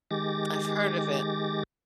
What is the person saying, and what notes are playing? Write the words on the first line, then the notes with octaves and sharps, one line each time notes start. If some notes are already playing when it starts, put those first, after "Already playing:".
I've heard of it.
D#3 G#3 G4 D6 A6 A#6